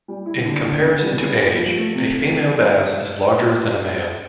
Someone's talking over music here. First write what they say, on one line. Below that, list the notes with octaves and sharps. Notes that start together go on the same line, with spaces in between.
In comparison to age, a female bass is larger than a male.
G3
E4
D3
D3
B3
G3
B3
G3
F3
A3
C3